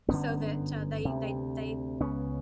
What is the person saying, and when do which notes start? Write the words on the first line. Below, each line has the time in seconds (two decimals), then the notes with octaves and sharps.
so that, uh, they they they
0.08 G1 F#2 D3 B3 C#4
1.05 D2 C3
2.00 C#2 C#3 B3 C#4